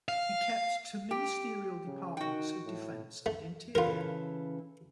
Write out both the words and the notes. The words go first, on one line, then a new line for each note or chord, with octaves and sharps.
He kept to ministerial departments of defence and interior.
F5
G4
C#3
D#3 F#4 G5
A2
A3
C#3 E3 F4 A4 A#4